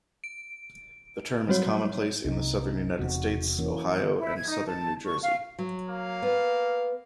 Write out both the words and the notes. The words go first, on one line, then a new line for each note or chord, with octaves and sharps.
The term is commonplace in the Southern United States, Ohio, and Southern New Jersey.
D7
F#3 G3 C4 F#4 C#5
C2 C3 D#4
E1 E2 C3 F#4
E3 A#3 C#4
E4
G#6
D#4
A5
C#6
F5
F#3
A#3 F5
B3